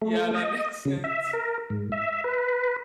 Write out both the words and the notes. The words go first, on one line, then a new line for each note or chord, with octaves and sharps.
Yeah, that makes sense.
A3
D#5
C#3
E5
A#4
G#2
E5
B4